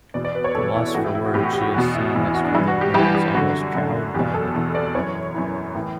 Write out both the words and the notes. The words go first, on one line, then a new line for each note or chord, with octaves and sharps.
Lost for words, she is silenced within minutes, almost cowed by them.
E2 B2 D5
D5
B4
C#5
E2 B2 A4
E4
A2 E3 F#4
E4
E4
F#4
A2 E3 G4
F#4
G4
F#4
E2 B2 F#4
E4
E2 B2 E4
E4
F#4
D4
G2 E3 E4
F#4
G4
G2 E3 G4
G4
F#2 D3 F#4
F#2 D3
E2 B2 G4
A4
E2 B2
D5
F#2 E3 C#5
F#2 E3
A2 E3